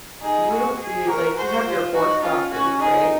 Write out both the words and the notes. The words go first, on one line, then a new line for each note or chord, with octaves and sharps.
You don't see it like, you have your horse doctors, right?
D#4 G#4
F#4
G#4
F#4 A#4
F#4 C5
F4
D#4 F#4
C#4 F4
C#4 F#4
D#4 G#4